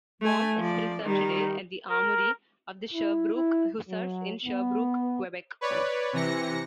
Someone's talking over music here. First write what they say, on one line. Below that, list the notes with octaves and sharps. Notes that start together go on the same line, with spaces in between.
"Bomb" is preserved today at the Armoury of the Sherbrooke Hussars in Sherbrooke, Quebec.
A3 G#5
F3 D5
D#3 G3
A#4
E4
E4
F#3
B3
B4 C#5 D5
C3 E3 A#6 C#7